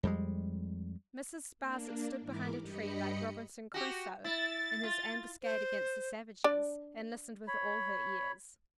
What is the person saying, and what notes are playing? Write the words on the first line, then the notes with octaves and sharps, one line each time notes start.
Mrs. Sparsit stood behind a tree, like Robinson Crusoe in his ambuscade against the savages, and listened with all her ears.
F2 G3 G#3
A#3 D4
G#2 E3 E4 A#4 D6
G2 G4 D#5 B5 C#7
F#4 G4
E4 A6
F4
C5
D4 D5
C#5 B5